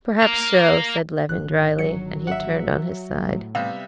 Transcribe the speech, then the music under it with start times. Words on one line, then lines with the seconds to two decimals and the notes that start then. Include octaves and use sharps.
"Perhaps so," said Levin dryly, and he turned on his side.
0.23 A#4 F5
1.29 G#1 D3 D#3 F#6
1.79 F#3 C#7
2.27 E5 F#5
3.26 A2
3.55 C3 G3 B3 E5 F5